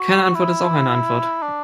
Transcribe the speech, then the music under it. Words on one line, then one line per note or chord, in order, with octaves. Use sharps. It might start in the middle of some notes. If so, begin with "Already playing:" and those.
Keine Antwort ist auch eine Antwort.
Already playing: F#4
E4
D4